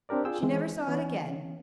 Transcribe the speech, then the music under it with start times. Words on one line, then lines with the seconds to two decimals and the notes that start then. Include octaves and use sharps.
She never saw it again.
0.09 C4 D4 G4 A#4 D5
0.25 F4 G#4 G5 E6
0.43 E3 G#3 C4
0.87 E3 B3 C#4